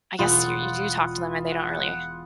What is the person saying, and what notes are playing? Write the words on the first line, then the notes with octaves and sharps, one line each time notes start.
I guess you you do talk to them and they don't really
E1 F4 F#5 B5 C6 D#6
F#5